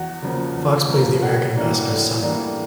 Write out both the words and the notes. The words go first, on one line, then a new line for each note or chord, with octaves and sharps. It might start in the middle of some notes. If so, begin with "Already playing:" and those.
Fox plays the American ambassador's son.
Already playing: E2 F#4
C#3 F3 A#3
E2
C#3 F3 A#3
A2 F#4
E3 G3 A#3 D4
A2
E3 G3 A#3 D4